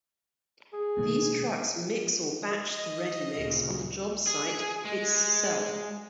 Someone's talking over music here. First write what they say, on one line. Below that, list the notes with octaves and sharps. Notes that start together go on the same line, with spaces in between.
These trucks mix or batch the ready mix on the job site it's self.
G#4
D#2 B2 G#3 B3
D#5
D2 A#2 C#3
G#4
G#3